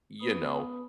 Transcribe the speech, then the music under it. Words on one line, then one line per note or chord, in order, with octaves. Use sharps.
you know,
B3 B4 B5 D#6